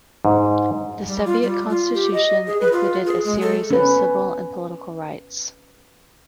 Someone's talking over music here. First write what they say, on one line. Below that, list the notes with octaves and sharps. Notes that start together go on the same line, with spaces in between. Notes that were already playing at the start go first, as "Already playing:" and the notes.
The Soviet Constitution included a series of civil and political rights.
G#2
G3
F4
G3
F4
G4
D#5
G#4
B4
F4
G#4
G#3
A4
C#4 B4